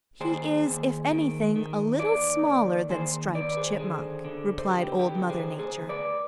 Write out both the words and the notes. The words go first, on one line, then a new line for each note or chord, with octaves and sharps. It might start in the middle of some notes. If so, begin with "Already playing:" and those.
"He is, if anything, a little smaller than Striped Chipmunk," replied Old Mother Nature.
D#2 G#4 C5
D#2
D#3
D#3
D#2 B4 D5
D#3
D#2 G#4 C5
D#3 B4 D5
B4
G#4 C5
D3 G#4 C5
D3
C5
D3 G4 B4
G4 B4
D3
G#4 C5
D2 G#4 C5
B4 D5